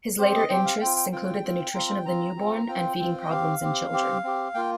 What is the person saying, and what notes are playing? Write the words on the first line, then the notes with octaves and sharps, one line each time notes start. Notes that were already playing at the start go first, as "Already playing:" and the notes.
His later interests included the nutrition of the newborn and feeding problems in children.
C4 G4 C5
D#5
C4 G4 G5
F5
C4 F4 G5
G5
C4 F4 G5
C4 F4
C4 F4 A#5
G5
C4 F4 A#5
C4 F4
C4 F4 G5
C4 F4
D#5
C4 G4 F5
C4 G4
C4 G4
C4 G4
A#3 F4 G5